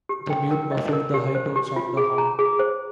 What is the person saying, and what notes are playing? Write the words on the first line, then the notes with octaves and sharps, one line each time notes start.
The mute muffled the high tones of the horn.
G4
G5
A#4
D#5
A#4
G4
C5
G4
F4
G#4
A#5
G#4
C5